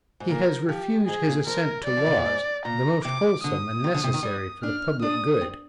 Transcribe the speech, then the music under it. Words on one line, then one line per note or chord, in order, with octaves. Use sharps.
He has refused his Assent to Laws, the most wholesome and necessary for the public good.
G#2
A#2 A#4
F3 G4
G#2 G#4
A#2
F3 A#4
G3 D5
F3
C3
A#2
G#2
A#2 A#5
C3 D6
D3 D#6
D#3
D3
C3
D#3
G3
D4 F6
D4 D#6
C4